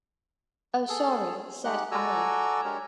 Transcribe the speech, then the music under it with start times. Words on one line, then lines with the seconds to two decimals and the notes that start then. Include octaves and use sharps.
"Oh, sorry," said Ari.
0.89 G#4 A4
1.64 G#3 D#4 G4 F#5 F#6
1.91 F#4 A4 D5 G#5 A#5 E6
2.64 G#3 D4 G4 A#4 C#5 D5